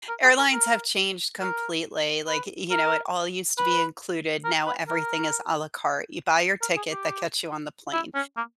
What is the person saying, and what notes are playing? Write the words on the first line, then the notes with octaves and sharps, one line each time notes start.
Airlines have changed completely, like, y you know, it all used to be included, now everything is a la carte; you buy your ticket that gets you on the plane,
A#4
G#4
A#4
A#4
A#4
B4
A#4
B4
A#4
B4
A#4
A#4
G#4
G4
E4
C#4
A#3